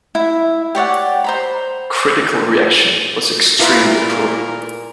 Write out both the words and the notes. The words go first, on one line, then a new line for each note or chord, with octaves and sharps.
Critical reaction was extremely poor.
E4 E5
G4 C#5 D5 F#5
C5 A#5 B5
A#2 E4 F4 A#4 B4